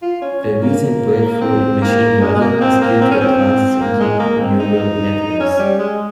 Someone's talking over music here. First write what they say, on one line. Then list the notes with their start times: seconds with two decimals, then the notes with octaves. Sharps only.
The recent breakthrough in machine learning is due to advances in deep neural networks.
0.02 F4
0.22 C#4
0.42 C#4
0.63 A#3
1.41 C4
1.82 A#3
2.21 G#3
2.35 G#3
2.41 A#3
2.61 C4
2.81 A#3
3.01 C4
3.11 C#4
3.21 C4
3.80 A#3
4.00 G#3
4.20 A#3
4.40 C4
4.60 D#4
5.40 C#4
5.59 G3
5.79 G#3